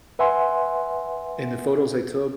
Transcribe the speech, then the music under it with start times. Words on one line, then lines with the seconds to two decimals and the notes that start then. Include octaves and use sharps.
and the photos I took
0.19 B4 E5 F#5 G#5 C6